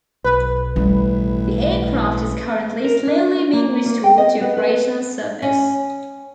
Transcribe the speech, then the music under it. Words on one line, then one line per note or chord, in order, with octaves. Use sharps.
The aircraft is currently, slowly being restored to operational service.
B1 B4
A1 G3
A#4
D4
A#3
A#3
G5
D#5
B3
B4
C#4